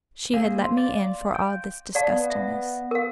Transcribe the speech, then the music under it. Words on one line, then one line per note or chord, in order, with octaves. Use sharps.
She had let me in for all this disgustingness.
A#3 C4 G#4 F5
F5 C6
D5
G5
D5 F5 A5
B3
E5
A#4 F5